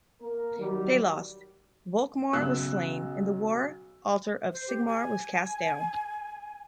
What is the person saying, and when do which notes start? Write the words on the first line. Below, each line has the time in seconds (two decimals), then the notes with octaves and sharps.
They lost, Volkmar was slain, and the war altar of Sigmar was cast down.
0.22 A#3 A#4
0.59 D#3 F#3 G3
2.33 B1 C#3 E6 F#6
4.52 C5
4.68 G4
4.87 G#5